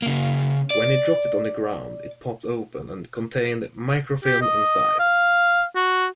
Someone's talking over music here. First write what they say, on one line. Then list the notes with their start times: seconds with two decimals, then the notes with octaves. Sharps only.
When he dropped it on the ground, it popped open and contained microfilm inside.
0.02 C#3 A#3
0.70 D5
4.25 G4
4.42 D#5
4.99 F5
5.76 F#4